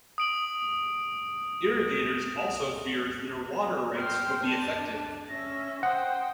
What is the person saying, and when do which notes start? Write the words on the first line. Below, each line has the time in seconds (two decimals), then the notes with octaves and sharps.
Irrigators also feared their water rights would be affected.
0.18 D#6 D7 F#7
3.97 C5 G5 C6 F6
4.42 D4 A5
5.29 C#4 E5 A#6
5.83 C5 F#5 G5 D#6